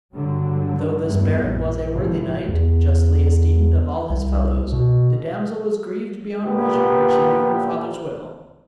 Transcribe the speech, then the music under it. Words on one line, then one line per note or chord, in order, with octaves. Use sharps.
Though this baron was a worthy knight, justly esteemed of all his fellows, the damsel was grieved beyond measure when she knew her father's will.
G1 D3 F#3 G3
G1 E2 G2 G3 A3 B3
A#1 F#2
G#1 C3 E3 F3
E2
C2
B2
A#2 D3 B3 G4 B4